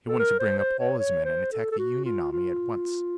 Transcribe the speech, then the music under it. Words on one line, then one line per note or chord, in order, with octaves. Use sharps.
He wanted to bring up all his men and attack the Union army at once.
A4
A#4
C5
C5
C#5
C#5
C5
A4
A4
F#4
F4
F4